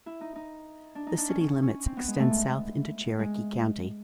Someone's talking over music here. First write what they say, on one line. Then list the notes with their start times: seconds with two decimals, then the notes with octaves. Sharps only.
The city limits extend south into Cherokee County.
0.06 E4
0.21 D#4
0.36 D#4
0.95 D4
1.07 D#4
1.18 D4
1.29 C#4
1.41 C#4
1.62 C#4
1.86 C4
1.97 B3
2.08 G#3
2.19 A3
2.31 G#3
3.19 G#3